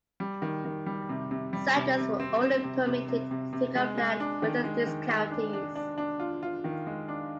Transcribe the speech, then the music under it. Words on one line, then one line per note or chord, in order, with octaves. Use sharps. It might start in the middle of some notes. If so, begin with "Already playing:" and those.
Settlers were only permitted to take up land within these counties.
G3
D#3
D#3
G3
C3
C3
G3
C3
C3
C4
C4
C3
C3
C3
C3
C3
G#3
G#3
D4
D#3
G#3
D#3
G#3
D4
D4
D4
D4
F4
F4
D#3
G#3
D4